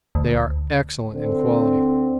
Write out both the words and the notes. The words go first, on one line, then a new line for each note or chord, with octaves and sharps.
They are excellent in quality.
D2
D3 C4